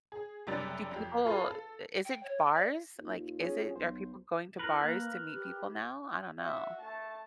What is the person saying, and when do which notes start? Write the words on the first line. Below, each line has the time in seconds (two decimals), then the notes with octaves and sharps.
do people is it bars? Like, is it are people going to bars to meet people now? I don't know.
0.12 G#4
0.47 F#1 C3 G3 D4 A6
0.91 F2 G4
1.25 F4 G#4 A4 B4 F5
1.47 A4
2.05 G5
2.23 C#5
2.39 G5
2.55 D5
2.99 D#2 F4
3.40 C#4 G#4
3.76 B1 C5
4.59 E4 A#4 B4
4.81 A#3
5.33 G4
6.39 F#4 E5
6.81 A3 A5